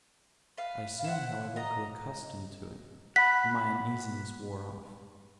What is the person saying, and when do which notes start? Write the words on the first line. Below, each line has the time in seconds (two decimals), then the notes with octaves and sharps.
I soon, however, grew accustomed to it, and my uneasiness wore off.
0.58 B4 F5
1.04 E4 C5 F#5
1.56 D#5 A#5
3.16 F#5 B5 B6